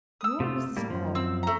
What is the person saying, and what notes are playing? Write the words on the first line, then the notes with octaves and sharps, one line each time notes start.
Nor was this all.
D#6 E6
C3 A3 F4
A2 G3 A#3
F#2 F3
C4 E6
A3 A#5